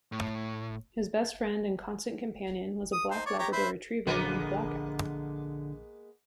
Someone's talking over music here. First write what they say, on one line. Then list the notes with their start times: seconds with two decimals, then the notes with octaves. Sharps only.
His best friend and constant companion was a black Labrador Retriever named Blackout.
0.12 A2
2.93 D#6
3.11 D#4 C5
3.26 C#5 D5
3.39 G4 C#5 A#5
3.53 B4 C5 E5
4.07 A#1 D3 G#3 A#3 B3